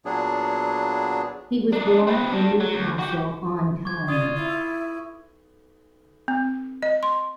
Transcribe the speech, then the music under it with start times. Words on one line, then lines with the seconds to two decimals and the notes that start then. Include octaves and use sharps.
He was born in Newcastle-on-Tyne.
0.05 A#2 F#3 B3 D4 G#4
1.73 D4 D#4
2.07 C4 B4
2.33 G3 D4
2.60 F#3
2.74 D2
2.99 F#4 G4
3.85 C#6 D6 G#6
4.08 F4 D5 D#6 D#7
4.36 E4
6.28 C4
6.83 D#5
7.03 C6